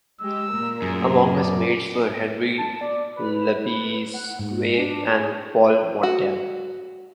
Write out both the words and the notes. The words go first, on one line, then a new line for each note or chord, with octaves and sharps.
Among his mates were Henri Lebesgue and Paul Montel.
G#3 G4 E6
A#2 A#4
F#2 G#4
D5
A5
D5
B4
F#5
G#2
D4
G#4
F#4